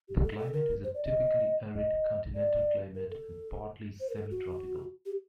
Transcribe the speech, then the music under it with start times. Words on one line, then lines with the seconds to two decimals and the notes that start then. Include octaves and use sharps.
The climate is a typically arid continental climate and partly semi-tropical.
0.09 G4
0.23 A4
0.39 A4
0.53 A#4
0.84 C5
0.94 D5
1.04 D#5
1.74 D#5
2.35 D5
2.95 A#4
3.10 A4
4.00 C5
4.10 A#4
4.16 A4
4.31 F#4
5.06 G4